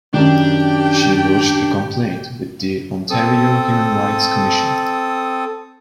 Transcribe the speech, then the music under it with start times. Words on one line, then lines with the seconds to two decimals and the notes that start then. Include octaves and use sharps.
She lodged a complaint with the Ontario Human Rights Commission.
0.14 F#2 D#3 D4 G4 G5
3.10 C4 A4 D#6